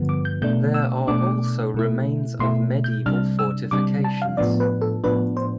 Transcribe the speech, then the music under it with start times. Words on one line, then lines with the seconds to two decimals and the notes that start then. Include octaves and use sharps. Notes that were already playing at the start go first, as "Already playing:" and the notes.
There are also remains of medieval fortifications.
Already playing: G2 D3 F3 B3
0.09 D6
0.25 G6
0.42 B2 A3 D4 G6
0.74 E6
1.07 B2 A3 D4 D6
1.74 B2 A3 E4
2.39 B2 A3 E4 C6
2.84 G6
3.06 C3 G3 D4 F6
3.39 E6
3.71 C3 G3 D4 D6
4.04 A5
4.22 F5
4.37 A2 F3 B3 D4 D5
4.60 B4
4.82 A4
5.04 A2 F3 B3 D4 B4
5.37 C5